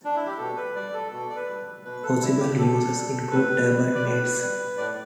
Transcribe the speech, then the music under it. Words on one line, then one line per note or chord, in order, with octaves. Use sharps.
Possible uses include turbine blades.
D4
E4
G4
B2 A4
B4
G3 D5
A4
B2 A4
D5
B4
G3
B2 B4
A4
G3 E4
G4
B2 A4
G3
A2 B4
G3
D5
A2 B4
G3
A2 D5